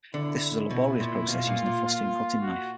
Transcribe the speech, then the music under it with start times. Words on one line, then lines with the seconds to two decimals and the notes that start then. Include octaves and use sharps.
This was a laborious process using a fustian cutting knife.
0.14 D3 E4
0.71 B2
1.00 A#2
1.28 B2 F4
1.47 A#2
1.66 A#2
1.85 F4
2.41 F#4